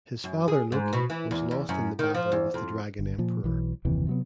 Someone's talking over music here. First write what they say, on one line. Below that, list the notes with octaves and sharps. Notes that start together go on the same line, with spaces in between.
His father Loki was lost in battle with the Dragon Emperor.
F#2
G#4
G#2
B2
E3
E2
E2
F#2
D#3
F3
E2
F2
G1
A#2 F3
B1 E3 F#3
F#1 D#2 C3 E3
C3 F#3 B3